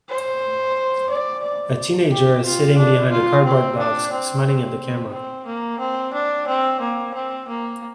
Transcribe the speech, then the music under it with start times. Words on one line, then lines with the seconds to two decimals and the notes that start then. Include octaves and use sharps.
A teenager is sitting behind a cardboard box smiling at the camera.
0.09 C5
1.09 D5
1.43 D5
2.11 G4
2.44 F4
2.77 D4
3.11 F4
3.44 C4
3.78 D4
4.12 C4
4.45 C4
5.12 C4
5.46 A#3
5.79 C4
6.13 D4
6.47 C4
6.80 A#3
7.14 C4
7.48 A#3